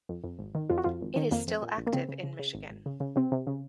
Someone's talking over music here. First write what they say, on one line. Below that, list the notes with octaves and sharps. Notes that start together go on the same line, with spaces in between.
It is still active in Michigan.
F2
F2
G#1
D#3
F2 F4
F#4
F2 F4
G#1
D#3
F2 A#3
F2
A#2
A#1
A#3
C#3 C4
C#3
C#3
C#3
G#1
G#1
C#3
C#3
C3 C4
C3
C#3